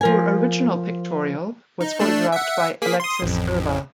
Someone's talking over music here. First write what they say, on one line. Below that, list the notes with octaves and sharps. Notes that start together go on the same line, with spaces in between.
Her original pictorial was photographed by Alexas Urba.
F3 A#4 G#5
D#4
A3 D4 A5
E5 F#5
A#3 G#4 B6
C6 D#6
A1 F2